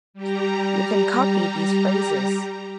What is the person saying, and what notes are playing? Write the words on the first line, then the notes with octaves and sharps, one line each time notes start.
You can copy these phrases.
G3 G4 A#5